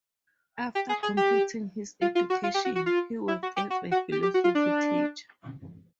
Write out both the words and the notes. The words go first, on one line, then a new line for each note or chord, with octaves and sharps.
After completing his education, he worked as a philosophy teacher.
G4
G#4
G#4
G4
F4
F4
F#4
F4
G4
F#4
F#4
F4
E4
F#4
G4
F#4
F#4
G4
G4
F#4
F4
D4